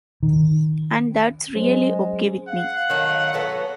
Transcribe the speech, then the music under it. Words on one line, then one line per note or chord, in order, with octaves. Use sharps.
And, that's really okay with me.
D#3
F#3 G#3 C#4 C5
F5 F#5
D#3 F#3 A3
F#3 B3 A4